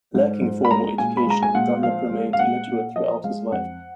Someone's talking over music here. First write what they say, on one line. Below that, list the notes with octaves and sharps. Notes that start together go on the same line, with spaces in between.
Lacking formal education, Dunlap remained illiterate throughout his life.
G#2
G#2
B5
G#3 A#5
A#2 G#5
B5
G#3 A#5
G#5
A#2 F#5
F3 F5
G#3
F5
A#2 F#5
A#2
F3 D#5
G#3 F5
F2 F#5